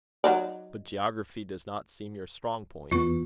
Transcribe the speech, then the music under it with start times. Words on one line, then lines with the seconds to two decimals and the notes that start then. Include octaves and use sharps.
"But geography does not seem your strong point."
0.24 F#3 D#4 D5
2.91 E2 E3 B3 F4 C#6